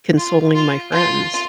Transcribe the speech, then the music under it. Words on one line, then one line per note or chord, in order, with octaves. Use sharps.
consoling my friends?
F4
F4
F4